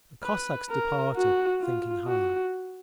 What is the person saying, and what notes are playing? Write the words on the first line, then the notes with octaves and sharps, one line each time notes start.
The Cossacks departed, thinking hard.
B4
A#4
F#4
F4
F#4